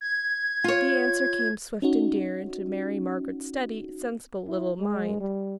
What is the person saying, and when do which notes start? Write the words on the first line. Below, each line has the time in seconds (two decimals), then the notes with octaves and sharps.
The answer came swift and dear into Mary Margaret's steady, sensible little mind.
0.01 G#6
0.64 F4 C#5
1.82 C#4 D#4 F#4
4.48 E4
4.80 G#3
5.20 G3